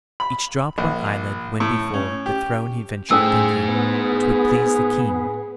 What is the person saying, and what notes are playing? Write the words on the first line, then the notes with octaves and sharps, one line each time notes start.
Each dropped one eyelid when before The throne he ventured, thinking 'Twould please the king.
B5
A#1
A2
C#4
G4
A2 C#4 G#4 A4 C5 E6
B3